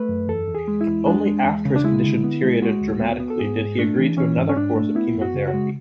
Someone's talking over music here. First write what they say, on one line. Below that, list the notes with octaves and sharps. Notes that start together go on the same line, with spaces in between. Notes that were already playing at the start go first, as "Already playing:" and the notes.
Only after his condition deteriorated dramatically did he agree to another course of chemotherapy.
Already playing: A3 B4
F#2
E2 A4
E2
G#4
G#3
E4
E2
G#3 D4
G#3
E2
C#3
D4
G#3 E4
D3
B3
G#3
G#3 F#4
D2
B3
B3
A4
G#2 G#4
G#2
A3 D4
E3
E3 C#4
G#2
C#4
G#2 D4
A3
B3 E4
F#2
F#4
C#3
F#4
G#3